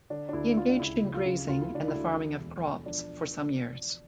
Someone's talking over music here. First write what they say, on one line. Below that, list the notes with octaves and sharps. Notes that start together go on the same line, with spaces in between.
He engaged in grazing and the farming of crops for some years.
D3 D4
D4
D2 E4
D2 F4
D4
C#2 E4
C#3
F4
C#3
D2 F4
E4
D2 D4
E4
D2
E3
E1
E1
F3 D4